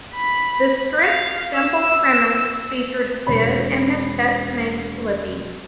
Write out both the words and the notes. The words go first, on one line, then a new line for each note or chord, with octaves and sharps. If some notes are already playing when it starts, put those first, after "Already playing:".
The strip's simple premise featured Sid and his pet snake Slippy.
B5
F5
E6
E1 C#5 B5